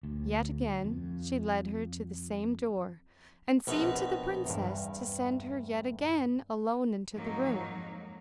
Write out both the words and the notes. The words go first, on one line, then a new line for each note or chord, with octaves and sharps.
Yet again she led her to the same door, and seemed to the princess to send her yet again alone into the room.
D2
F2
A#1 B2 B3 C4 D#4 F#5
E2 G2
F2 G#2 F#3 A#3 D#4